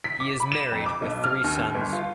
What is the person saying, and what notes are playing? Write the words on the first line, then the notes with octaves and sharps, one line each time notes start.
He is married with three sons.
B6
D6
B5
E7
F2
D6
B1
F6
D#2
D#2
G1
F4